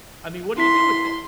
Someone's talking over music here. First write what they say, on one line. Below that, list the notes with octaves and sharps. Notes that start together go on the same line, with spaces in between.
I mean, what do you do with that?
E4 C6 B6